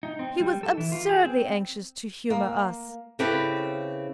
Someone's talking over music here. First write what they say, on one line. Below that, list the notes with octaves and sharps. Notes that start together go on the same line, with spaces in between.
He was absurdly anxious to humour us.
D#4
C4
G3
A4
E3
F4
G#4
C4
A#3
C#3 C4 E4 G4 A4 B4